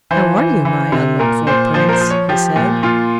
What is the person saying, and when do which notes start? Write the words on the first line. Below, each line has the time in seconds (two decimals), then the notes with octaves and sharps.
'How are you my unlooked-for Prince?' he said.
0.11 E3 C5
0.38 E3
0.65 E3
0.92 C3
1.19 A#2 A#4
1.47 A#2 C5
1.74 F3 C5
1.89 A#4
1.93 C5
2.01 F3
2.10 C#5
2.29 F3 G4
2.56 A#2
2.83 A#2 F4